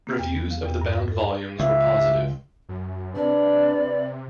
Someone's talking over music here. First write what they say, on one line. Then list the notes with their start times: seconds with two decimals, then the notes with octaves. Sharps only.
Reviews of the bound volumes were positive.
0.07 A#3
0.19 E2
0.36 B3
0.51 F5
0.64 E2
0.81 G2
0.97 A#4
1.12 A4
1.60 C#2 E5
2.69 F#2
3.15 C3 D4 B4 D5